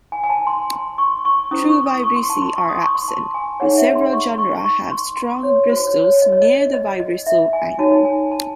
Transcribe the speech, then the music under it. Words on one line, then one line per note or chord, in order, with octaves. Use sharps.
True vibrissae are absent, but several genera have strong bristles near the vibrissal angle.
G#5
G#5
A5
C6
C6
C#6
C#6
C#4 E4 C5 D#6
C#6
D#6
C#6
C6
A5
C6
C#6
D#6
C#6
C6
A5
G#5
D#4 G#4 C#5 F#5
E5
C6
C#6
C#6
C#6
C6
C6
C#5
F#4 C5
C#5
C#5
D#5
C#5
D#5
D#5
D#5
E5
G#5
D#4 F#4 C#5 A5
G#5
A5